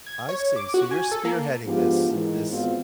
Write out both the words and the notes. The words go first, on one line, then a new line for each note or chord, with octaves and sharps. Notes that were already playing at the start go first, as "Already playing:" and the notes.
I see. So, you're spearheading this this
G#6
C#5
D6
F#4
G#5
A4
A#3
G#2 F3 B3 D4 F4 G4
G#2 D#3 E3
G#1 G#2 B3 C4 F4